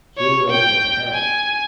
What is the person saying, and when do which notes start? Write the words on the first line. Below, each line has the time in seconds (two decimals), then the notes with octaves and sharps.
You will get help.
0.18 C#5
0.50 G5
1.13 G#5